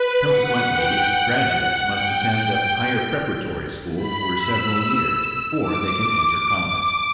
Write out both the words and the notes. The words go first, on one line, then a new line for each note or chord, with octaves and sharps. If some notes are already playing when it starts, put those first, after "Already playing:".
Consequently its graduates must attend a higher preparatory school for several years before they can enter college.
Already playing: B4
F#5
G5
F#5
G5
G5
B5
E6
D6
D6
D6